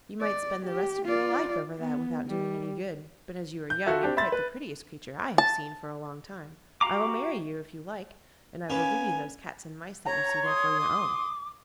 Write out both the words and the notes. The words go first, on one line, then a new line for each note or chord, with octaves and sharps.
'You might spend the rest of your life over that without doing any good, but as you are young, and quite the prettiest creature I have seen for a long time, I will marry you if you like, and I will give you those cats and mice that you see there for your own.
D5
G4
F4 D5
B3
G3
G6
F4 F#4 A4 E5
C4 D4 G4
E5 B5 C6 A6
B4
A5
F#4 G4 F5 A#5 D6
A#3 B3 C#4 G#5
C#5 A#5
C6 D#6
D6